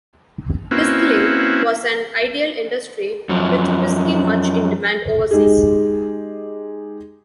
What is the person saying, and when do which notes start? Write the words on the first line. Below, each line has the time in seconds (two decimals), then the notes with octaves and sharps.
Distilling was an ideal industry with whisky much in demand overseas.
0.71 A#3 C4 C#4 E4 F#4 B4
3.29 F#2 F3
5.31 G#3 D#4 G4 G#4